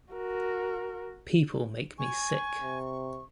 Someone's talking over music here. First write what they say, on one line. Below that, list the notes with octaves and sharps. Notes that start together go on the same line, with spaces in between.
People make me sick.
F#4 A#4
G#5 C#6
C3